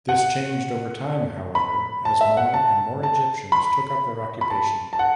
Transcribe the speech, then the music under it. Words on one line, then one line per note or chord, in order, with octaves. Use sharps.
This changed over time, however, as more and more Egyptians took up their occupation.
F#5
B5
A5
E5
F#5
A5
A5
B5
B5
A5
A5
F#5